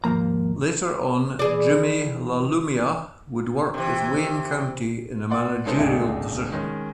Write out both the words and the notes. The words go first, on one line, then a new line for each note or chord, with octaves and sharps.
Later on Jimi LaLumia would work with Wayne County in a managerial position.
D#2 G#2 F3 A#3 A#5
E3 G#4 D5
C3 E3
D5 F#5 C6
G#3 C#4 D#4 A4 B4 C5
D1 G#1 C#2 A3 D4 G#4
D#3 G#3 C#4